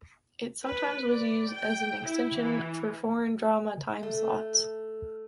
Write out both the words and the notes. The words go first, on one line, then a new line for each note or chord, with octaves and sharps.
It sometimes was used as an extension for foreign drama time slots.
B4
D5
G5
E4
E3
A3